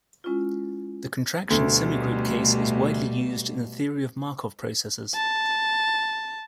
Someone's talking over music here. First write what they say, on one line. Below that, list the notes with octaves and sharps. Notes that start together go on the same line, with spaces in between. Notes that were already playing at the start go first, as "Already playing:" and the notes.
The contraction semigroup case is widely used in the theory of Markov processes.
G#3 C#4 E4 F4
D2 B2 G3 A3
A5